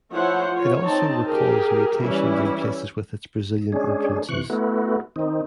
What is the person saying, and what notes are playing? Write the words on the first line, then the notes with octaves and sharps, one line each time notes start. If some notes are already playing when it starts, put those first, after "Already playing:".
It also recalls "Mutations" in places with its Brazilian influences.
F3 E4 C5 C#5 F#5
F4 C#5
C4 D#4 A5
G4 G#4 A#4
E3 G3 C#4 E4
G#3 C#4 D4 G#4
C3 E3 C#6 F#6
A3 B3 E4 F#4
D#3 C4 D#4